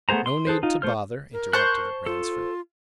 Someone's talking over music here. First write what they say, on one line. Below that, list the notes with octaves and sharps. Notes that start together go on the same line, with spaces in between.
"No need to bother," interrupted Ransford.
A3 B3 G#4 C5 A#5
C6
G#4 A4 B4 C5
D#4 F4
A3 C5 F6
A#4
C5 A5 C#6 F#6
F4 A4